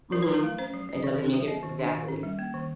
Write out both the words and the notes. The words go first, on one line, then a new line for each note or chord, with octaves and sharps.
Mhm. It doesn't make it Exactly.
F#3 A#4
B4
F#3
A#4
A3
C#4 C5
F#3
F#3 D#5
D#3 D5
D4
F#3 E5
B3 D#5
D#3
D4
D#3
C#4
G3
A#3
D#3